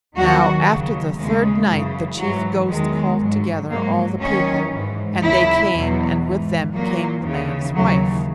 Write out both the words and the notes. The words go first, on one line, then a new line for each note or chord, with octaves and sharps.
Now, after the third night the chief ghost called together all the people, and they came, and with them came the man's wife.
D#2 D#3 F#3 F#4
D#2 C#3 F#3
D#2 C#3 E3 G#3
F#2 C#3 E3
G#2 E3 F#3
E2 D#3 F#3 G#3
G#2 F#3
G#2 F#3 A#3
D#2 D#3 F#3 C#4
G#2 E3
D#2 C#3 F#3 E4
E2 B2 F#3
G#2 E3
A#2 F#3 A#3
D#2 C#3 E3
D#2 C#3 E3 F#3